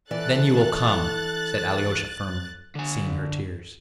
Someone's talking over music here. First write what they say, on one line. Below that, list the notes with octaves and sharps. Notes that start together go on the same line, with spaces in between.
"Then you will come," said Alyosha firmly, seeing her tears.
E3 A4 D5 F#6 A6
D3 G#5